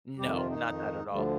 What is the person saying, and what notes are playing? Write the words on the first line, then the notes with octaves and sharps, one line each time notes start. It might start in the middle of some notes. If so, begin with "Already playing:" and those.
No. Not that at all.
F2 C3 D#3 G3 G4
F3 F4
D#3 D#4
F2 D#3
D2 D3 F3 G3